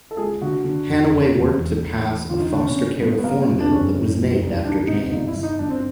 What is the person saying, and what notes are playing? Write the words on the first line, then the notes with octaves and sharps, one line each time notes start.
Hanaway worked to pass a foster care reform bill that was named after James.
A4
C#2 G#4
D3 F#4
D3
F1
F1
E1
E2
E1
E1
D3 F4
D#4
D3 D4
C#4
G1 C#4
G2 B3
B3
C3 A#3
C3
D4
F#1 C#4
F#1
C2
C2
D#3 D4
C3 D#4
G1 D#4
E4
G1
D#4
G1 D4
C4